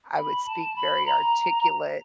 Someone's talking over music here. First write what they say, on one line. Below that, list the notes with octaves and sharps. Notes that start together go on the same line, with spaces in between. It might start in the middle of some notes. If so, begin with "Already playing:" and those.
I would speak very articulate,
B5
A5
B5
A#5